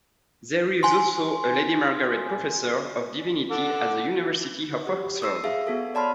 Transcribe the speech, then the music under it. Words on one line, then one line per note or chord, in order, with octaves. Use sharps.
There is also a Lady Margaret Professor of Divinity at the University of Oxford.
G#5 C6
A4 F#5 D6
G4
D#6 E6 C7 C#7
G#4 E5 F5
B3 F#4 A4
C#5 D5 A5 B5 C6 F6